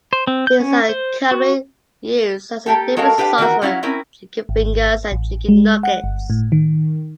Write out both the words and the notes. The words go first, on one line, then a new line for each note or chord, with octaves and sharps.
These are commonly used as a dipping sauce for Chicken fingers and chicken nuggets.
C5
C4
G6
C#4
C5
F#4
A#3 G4 A4
G#3 F#4 A4 A#4 F5
D4 G4 B4 F5 G5
D#3 E3 B3 F4 F#4 A#4
F#3 C#4 E4 F#4 F5
C4 C#4 E4 A#4
G#1
A1
G#3
F#5
G1
A2
D#3